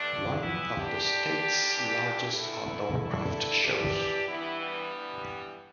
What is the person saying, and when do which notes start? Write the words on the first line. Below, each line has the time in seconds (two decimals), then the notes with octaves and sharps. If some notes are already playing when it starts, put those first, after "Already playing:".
One of the state's largest outdoor craft shows.
Already playing: G2 D3 A3 D4
0.42 E2 E3 B3 E4
0.74 D4 G4
1.06 D2 D3
1.71 G2 E3
2.35 E2 D3 E4 A4
2.99 G2 D3 E4 A4
3.63 E2 E3 D4 G4
4.27 G2 E3 B3 E4
4.60 G3 B3
4.92 G2 E3